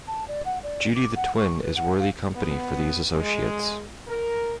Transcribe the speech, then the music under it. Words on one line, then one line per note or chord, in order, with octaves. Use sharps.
Judy the twin is worthy company for these associates.
A5
D5
F#5
D5
D6
F#5
C#6
B4
F#5
F5
B3
G#3
A#4